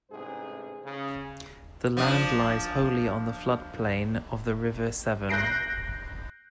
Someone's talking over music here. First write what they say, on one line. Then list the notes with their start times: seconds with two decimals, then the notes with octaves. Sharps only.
The land lies wholly on the flood plain of the River Severn.
0.10 A1 G#2 C3 G#4 C5
0.85 C#3
1.97 F3 D4
5.29 F#6 G6 A#6 C7 D7